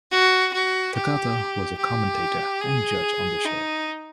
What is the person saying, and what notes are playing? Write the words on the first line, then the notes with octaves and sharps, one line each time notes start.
Takata was a commentator and judge on the show.
F#4
F#4
G4
G4
G#4
D#4